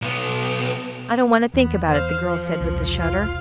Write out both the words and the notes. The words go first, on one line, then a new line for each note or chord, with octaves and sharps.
"I don't want to think about it," the girl said, with a shudder.
B1 B3
E2 B3
C5 F5
F3
E1 C2
F4 F5